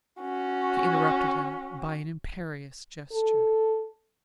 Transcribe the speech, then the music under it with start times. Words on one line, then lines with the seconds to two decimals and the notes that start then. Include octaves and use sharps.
She interrupted him by an imperious gesture.
0.20 C#4 F#4
3.12 A4